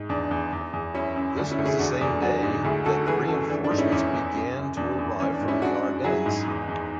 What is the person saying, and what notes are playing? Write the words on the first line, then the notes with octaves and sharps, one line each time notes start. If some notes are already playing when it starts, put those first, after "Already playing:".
This was the same day that the reinforcements began to arrive from the Ardennes.
Already playing: G#2
E2 D4
E2
E2
E2
F#2 C#4 E4
F#2
D2 D4
C#4 E4
D2
E4 G#4
E2 D4 F#4
E2 D4
F#3 D4 F#4
G#2
D2 E4 G#4
D2 F#4 A4
E3 G#4 B4
F#2 F#4 A4
E3 D4
D4
G#2
C#4 E4
E2 C#4 E4
E2
F#2
F#2
E2 D4
E2
E3 C#4
D4
G#2
C#4 E4
F#2 D4 F#4
F#2
F#3 E4 G#4
G#2
E2
E2